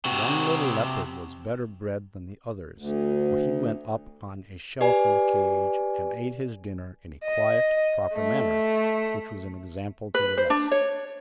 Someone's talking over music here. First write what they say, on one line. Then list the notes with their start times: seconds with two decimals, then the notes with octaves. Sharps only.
One little leopard was better bred than the others, for he went up on a shelf in the cage, and ate his dinner in a quiet, proper manner, which was an example to the rest.
0.05 C3 F#4
2.78 D2
4.81 G4 B4 D5 G#5
7.24 D#5
8.14 A3
10.14 B4
10.37 C5
10.50 D4
10.71 C#5